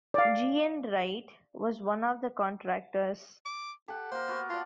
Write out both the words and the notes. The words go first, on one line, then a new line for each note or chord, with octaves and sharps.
G. N. Wright was one of the contractors.
D5 F5
D6
G4 A4 F#5
A#3 A#4 C5
B3 F#4 A#4
F4 D5 A5